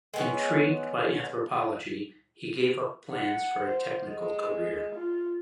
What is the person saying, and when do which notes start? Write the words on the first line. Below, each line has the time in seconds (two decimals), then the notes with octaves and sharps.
Intrigued by anthropology, he gave up plans for a technical career.
0.14 G#3 B3 C#4
3.09 F#5
3.65 C5
4.08 G#3
4.95 F4